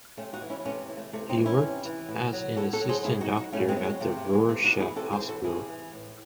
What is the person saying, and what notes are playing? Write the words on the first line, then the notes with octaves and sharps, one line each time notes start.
He worked as an assistant doctor at the Rorschach Hospital.
C3 A3 C#4
D#4 F#4
E3
C#4 E4
C3 A3 C#4
E3
A3
C3 A3
C4 D#4
E3
C#4 E4
C3
E3
A2
F#3
A2 F#4 A4
F#4 A4
F#3
G#4 C5
A2 E4 G#4
D#4 F#4
F#3
D#4 F#4
A2 A3 C#4
G#3 C4
F#3
G#3
C3 A3
A3
E3
G#3
C3 A3
D#4 F#4
E3
E4 G#4
C3 F#4 A4
G#4 C5
E3
F#4 A4
C3 E4 G#4
E3
A2